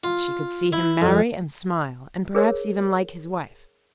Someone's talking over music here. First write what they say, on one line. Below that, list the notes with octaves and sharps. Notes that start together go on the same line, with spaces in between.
She could see him marry, and smile,--and perhaps even like his wife.
F4
E4
F2
G#4 A#4 C#5